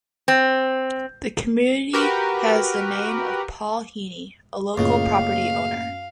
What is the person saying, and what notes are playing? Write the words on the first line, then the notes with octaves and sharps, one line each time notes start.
The community has the name of Paul Heeney, a local property owner.
C4
F#4 G4 A#4 B4
C#2 F#2 A2 C#3 A#3 F5